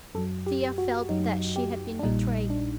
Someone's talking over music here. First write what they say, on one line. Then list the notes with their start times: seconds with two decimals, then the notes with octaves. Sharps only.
Thea felt that she had been betrayed.
0.15 F#2 F#3 A4
0.46 G4
0.78 F#4
1.09 F#2 F#3 D#4
1.56 G4
1.99 D4
2.03 A#1 A#2 G3 D#4
2.50 D4